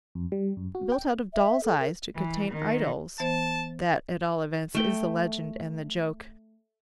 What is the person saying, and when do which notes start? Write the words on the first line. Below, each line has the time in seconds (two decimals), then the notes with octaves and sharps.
"Built out of doll's eyes to contain idols"--that, at all events, is the legend and the joke.
0.15 F2
0.32 G3
0.57 F#2
0.75 F#4
0.92 G5
1.34 E5
1.64 A4
1.80 A#4
2.16 E3
2.51 D#3
3.20 E3 B3 C5 A5
4.75 A3 G5